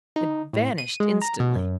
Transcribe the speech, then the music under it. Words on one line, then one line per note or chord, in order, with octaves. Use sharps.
It vanished instantly.
D#4
A2
D#7
G#3
A#5
B2
F#2